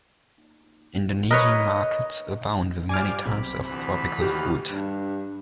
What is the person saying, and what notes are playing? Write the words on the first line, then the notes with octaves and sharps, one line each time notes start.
Indonesian markets abound with many types of tropical fruit.
A#4 B4 C#5 D#5
G2 F3 D5 G#5 D6 F6
B1 C3 B5
D2 E3 B5
D#2 F#4 G4 F6
G2